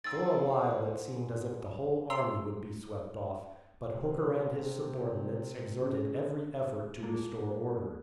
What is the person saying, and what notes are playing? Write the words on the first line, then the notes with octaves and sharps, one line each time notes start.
For a while it seemed as if the whole army would be swept off; but Hooker and his subordinates exerted every effort to restore order.
G#2 C4 E6 A6
A#5 C6 E6
C3
C#3
G#3 A#3 F4 A4 A#4